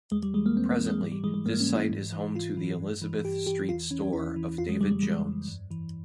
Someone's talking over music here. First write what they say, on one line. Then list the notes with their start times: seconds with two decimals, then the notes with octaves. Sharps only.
Presently, this site is home to the Elizabeth Street store of David Jones.
0.11 E2 G#3
0.23 G3
0.34 E3 G#3
0.46 A#3
0.56 E2 C4
0.71 A#3
0.78 E3
0.86 G#3
1.01 G#2 G3
1.12 G3
1.24 E3 G#3
1.34 G#3
1.45 G#2 A#3
1.60 C#4
1.68 E3
1.75 E4
1.90 G#2
2.12 E3
2.35 G#2 F4
2.57 E3
2.80 G2
3.02 E3
3.24 G2 G4
3.46 E3 G4
3.69 E2 F4
3.91 E3 C#4
4.13 E2 E4
4.36 E3
4.58 F2 F4
4.69 G#3
4.80 C#3 G3
4.91 G3
5.02 E3 G#3
5.25 F2
5.48 G2
5.71 E3